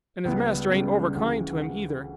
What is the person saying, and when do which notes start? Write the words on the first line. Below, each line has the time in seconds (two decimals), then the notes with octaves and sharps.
And his master ain't over kind to him either.
0.25 C#2 C#3 G3 B3
0.69 C#2 C#3 G3 B3
1.15 D2 C#3 E3